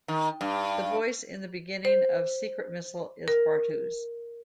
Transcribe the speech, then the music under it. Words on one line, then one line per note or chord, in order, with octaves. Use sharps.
The voice in the beginning of "Secret Missile" is Bartu's.
D#3
G2
C5
A#4